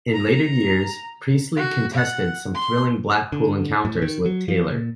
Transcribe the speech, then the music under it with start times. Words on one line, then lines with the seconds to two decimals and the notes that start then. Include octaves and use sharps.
In later years, Priestley contested some thrilling Blackpool encounters with Taylor.
0.13 A#5
1.56 F#4
1.94 F#5
2.55 C6
3.32 D3
3.85 A2
4.02 D#3
4.26 F#3
4.48 F3
4.71 A#2